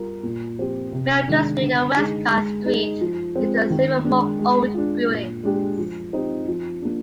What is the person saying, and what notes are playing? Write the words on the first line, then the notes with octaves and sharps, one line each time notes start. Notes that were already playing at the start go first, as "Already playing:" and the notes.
Milton Street and Westcott Street lead to several more old buildings.
Already playing: G3 F4 A#4
A#2
F3 C4 G4
C3
D#3 G#3 D4
D3
G#3 D#4 G#4
G#3
D#4 G#4
F3
G#3 C4
D#3
G#3 D4
G#3
D4 F4
A#2
G#3 D4 G4
F3
C4 D#4 G4
F3
A#3 D4